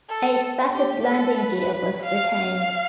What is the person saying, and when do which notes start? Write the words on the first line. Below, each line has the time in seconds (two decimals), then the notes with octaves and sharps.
A spatted landing gear was retained.
0.09 A4
0.73 G4
1.06 A4
1.38 B4
2.03 F5
2.35 F5